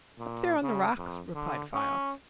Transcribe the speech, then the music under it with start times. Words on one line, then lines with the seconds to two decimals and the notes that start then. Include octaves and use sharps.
"Up there on the rocks," replied Files.
0.19 A#2
0.63 C#3
0.97 F2
1.35 D3
1.74 C#4